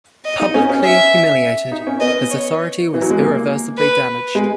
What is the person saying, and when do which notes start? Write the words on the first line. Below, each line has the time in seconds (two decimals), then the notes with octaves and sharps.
Publicly humiliated, his authority was irreversibly damaged.
0.25 D#5
0.40 D#4
0.54 C#4
0.69 C#4
0.84 E5
1.72 D#4
1.87 C#4
2.00 B3 D#5
2.30 C#5
2.94 E3
3.02 F#3
3.10 G#3
3.19 A#3
3.77 B4
4.35 G#3